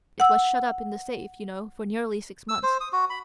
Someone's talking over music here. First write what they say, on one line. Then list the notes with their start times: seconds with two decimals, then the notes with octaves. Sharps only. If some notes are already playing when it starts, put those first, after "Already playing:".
It was shut up in the safe, you know, for nearly six months.
0.20 F#5 E6
2.49 E6
2.63 C5
2.81 D#6
2.93 F#4
3.10 B5